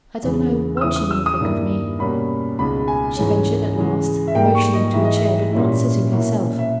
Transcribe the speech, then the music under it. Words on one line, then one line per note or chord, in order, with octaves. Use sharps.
"I don't know what you will think of me," she ventured at last, motioning to a chair but not sitting herself.
E2 C#3 E3 G#3
E6
E2 C#3 G#3 B3 E4 D#6
D#6
E6
D#6
G2 D#3 A#3 E4
B2 G3 A#3 C#4 B5
C#2 B2 G#3 D#4 B5
G#5
G#2 E3 G#3 C#4
C#3 E3 G#3
E5
G#2 G3 A#3 G5
C#6
D#5
G#2 E3 G#3 E5
D#5
E5
A#2 G3 C#4 E4
B2 A#3 C#4 E4
E5